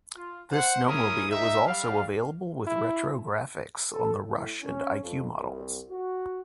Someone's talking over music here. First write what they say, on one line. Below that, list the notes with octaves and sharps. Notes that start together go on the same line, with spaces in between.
This snowmobile is also available with retro graphics on the Rush and Iq models.
F4
C5 F#5
C#4 E4 G#4 A#4 D#6
A#3 D#4 E5
G3 F5
E4
A4
A2
C#4
F2
C2
F#4